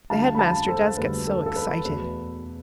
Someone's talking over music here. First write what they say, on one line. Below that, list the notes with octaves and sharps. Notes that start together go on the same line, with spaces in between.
The headmaster does get so excited.
D2 D3 G3 F5 A5
B5
F5 A5
A4 C5
D2 D3 G3 B4
A4
A4
B4
E2 B2 A3 B4